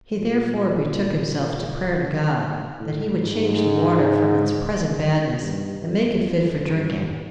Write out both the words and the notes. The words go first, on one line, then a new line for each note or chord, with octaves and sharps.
He therefore betook himself to prayer to God, that he would change the water from its present badness, and make it fit for drinking.
A#2
A2
G#2
G2
F2
F2
G2